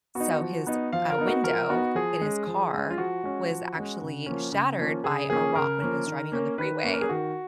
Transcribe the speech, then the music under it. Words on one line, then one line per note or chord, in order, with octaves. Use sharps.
so, his, uh, window in his car was actually shattered by a rock when he was driving on the freeway.
B3 D#4 F#4
F3
B3 D#4
F3 F5
A#4
B3 D#4
F#4
F3 A#4
B3 D#4 F#4
F3 G#4
G#3 C#4
F3
G#3 C#4
F4
F3 F#4
G#3 C#4
F3
G#3 C#4
C#3
F3 A#3 C#4
C#3
F3 A#3 C#4
C#3 G#4
F3 A#3 C#4 G#4
C#3 A#4
F3 A#3 C#4
D#3
A#3 C#4
D#3 B4
A#3 C#4
A#4
G#4
D#3 F#4